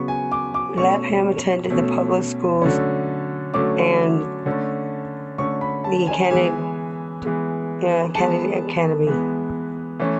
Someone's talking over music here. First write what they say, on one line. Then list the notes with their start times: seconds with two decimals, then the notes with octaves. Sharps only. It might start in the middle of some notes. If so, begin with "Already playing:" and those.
Lapham attended the public schools and the Canandaigua Academy.
Already playing: C#3 F#3 B3 C#6
0.08 G#5
0.32 D6
0.54 D6
0.77 B2 A3 C#4 C#6
1.70 B2 A3 C#4
2.62 D3 F#3 A3 C#4
3.54 D3 F#3 A3 C#4 D6
4.46 D3 A3 C#4
5.38 D3 A3 C#4 C#6
5.61 B5
5.84 A5
6.07 G#5
6.31 E3 G#3 B3 G#5
7.22 E3 G#3 B3
8.15 E3 G#3 B3 A5
9.07 E3 G#3 B3
10.00 E3 A3 C#4